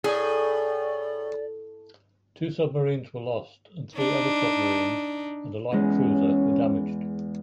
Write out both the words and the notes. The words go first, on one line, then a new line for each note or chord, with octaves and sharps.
Two submarines were lost and three other submarines and a light cruiser were damaged.
A2 G#4 D5
D4 D#4
E2 G#3 C#4